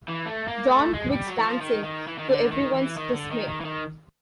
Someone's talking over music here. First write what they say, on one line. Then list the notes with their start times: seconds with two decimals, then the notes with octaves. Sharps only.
John quits dancing, to everyone's dismay.
0.08 E3
0.25 A3
0.48 A#3
0.70 A3
0.94 G#3
1.10 G3
1.27 F#3
1.39 E3
1.44 F3
1.61 D#3
1.84 D#3
2.07 E3
2.18 D#3
2.29 D3
2.51 D#3
2.75 E3
2.97 D#3
3.14 D3
3.31 D#3
3.48 D#3
3.61 E3
3.65 D#3